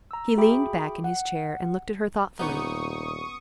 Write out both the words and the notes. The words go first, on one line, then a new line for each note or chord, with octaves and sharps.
He leaned back in his chair and looked at her thoughtfully.
A#5 E6
F#4 G#4 E5 G5 B5 D6
F#5
D#1 B3 C#4 D#4 G4 C#6 D#6